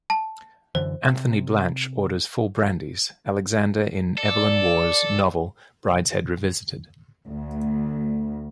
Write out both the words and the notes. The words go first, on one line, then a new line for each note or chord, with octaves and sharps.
Anthony Blanche orders four brandies Alexander in Evelyn Waugh's novel Brideshead Revisited.
A5
F#2 D3 E3 C5
C3
A4 D5
D2